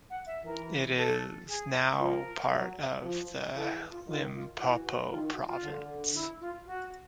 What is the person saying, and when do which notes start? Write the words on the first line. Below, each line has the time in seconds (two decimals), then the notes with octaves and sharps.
It is now part of the Limpopo province.
0.10 F#5
0.27 E5
0.44 E3 A#4
0.97 A4
1.48 G#4
2.00 F3 A#4
2.52 F#3
3.03 F3
3.55 E3 A4
3.72 G#4
3.90 F4
4.08 D#3 F4
4.33 F4
4.59 E3 F#4
4.84 F#4
5.10 D#3 F4
5.28 F#4
5.46 F4
5.62 D3
6.15 E4
6.40 F4
6.66 F#4